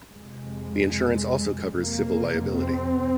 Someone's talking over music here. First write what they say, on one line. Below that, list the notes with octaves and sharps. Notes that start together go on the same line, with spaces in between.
The insurance also covers civil liability.
F2 C3 G#3
F2 C3 A#3
C4